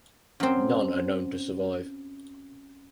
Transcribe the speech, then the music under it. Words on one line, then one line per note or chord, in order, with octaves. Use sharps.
None are known to survive.
F#2 C4